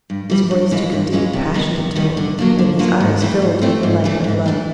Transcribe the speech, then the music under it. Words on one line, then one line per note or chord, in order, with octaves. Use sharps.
His voice took a deep, passionate tone, and his eyes filled with the light of love.
G2
E3 G3
G2
E3 G#3 C#4 F4
G2
E3 G#3 C#4 F4
C3
D#3 G3 B3
C3
D#3 G3 B3
D3
F#3 A#3 D4 F4
D3
F#3 A#3 D4 F4
G#2
E3 A3 C4 E4
G#2
E3 A3 C4 E4
G#2
E3 A3 D4
G#2
E3 A3 D4